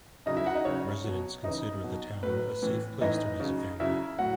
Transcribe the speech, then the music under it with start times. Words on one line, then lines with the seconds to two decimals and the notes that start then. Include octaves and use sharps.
Residents consider the town a safe place to raise a family.
0.26 C#3 F#3 D#4 D#5
0.36 E4 E5
0.46 F#4 F#5
0.55 D#4 D#5
0.65 C#3 F#3 C#5
1.04 B2 F#3
1.44 C#3 E3 D#4 D#5
1.84 B2 F#3
2.23 A2 F#3 B4
2.62 A2 E3
3.01 A2 E3 D#4 D#5
3.40 C#3 F#3
3.80 C#3 F#3 E4 E5
4.19 A2 F#3 F#4 F#5